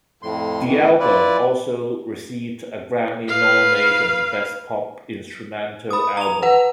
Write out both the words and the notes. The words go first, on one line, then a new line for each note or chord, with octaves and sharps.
The album also received a Grammy nomination for Best Pop Instrumental Album.
F2 A2 C6
A2 D#3 E3
E4 F4 B4 D5
B4 F5
B5 D#6
A#5 F7
B4 F#5